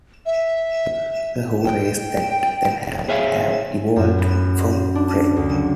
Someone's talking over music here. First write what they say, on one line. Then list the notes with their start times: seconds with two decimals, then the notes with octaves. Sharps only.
The Hoots are a race that have evolved from prey.
0.26 E5
1.65 G5
3.08 G#4 C5 C#5 E5 F5 G#5
3.96 F#2
4.18 B3
4.95 D4
5.37 D2
5.49 F#1